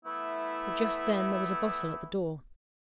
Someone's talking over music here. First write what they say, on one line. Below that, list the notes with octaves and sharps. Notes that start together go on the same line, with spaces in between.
But just then there was a bustle at the door.
E3 A3 B3 E4